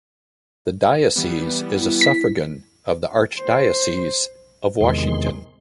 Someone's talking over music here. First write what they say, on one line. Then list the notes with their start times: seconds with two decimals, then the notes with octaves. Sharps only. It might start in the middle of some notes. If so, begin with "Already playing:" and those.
The diocese is a suffragan of the Archdiocese of Washington.
1.16 E3 G3 B3
1.79 E4
2.01 B6
3.40 C5
4.81 E2 C3 D#3 G#3 C6